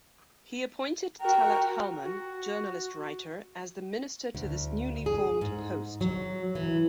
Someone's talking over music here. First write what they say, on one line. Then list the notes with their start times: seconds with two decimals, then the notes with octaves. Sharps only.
He appointed Talat Halman, journalist-writer, as the minister to this newly formed post.
1.21 F#4 A#4 G5
2.04 F#4
4.35 D2
5.06 G#4
5.41 G#2
6.01 F#3
6.55 E3